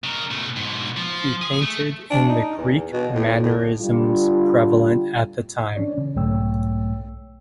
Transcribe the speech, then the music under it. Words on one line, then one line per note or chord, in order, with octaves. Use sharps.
He painted in the Greek mannerisms prevalent at the time.
C#3 A#4
B2 A3
G#2 B2
F3
G#4
A3
D4
D#4
E2
B2
A2
A2
D3 G3 F4
E3 C#4 D4 C#5 D5
C#3
B1 G#2 A3 C#5 G5 E6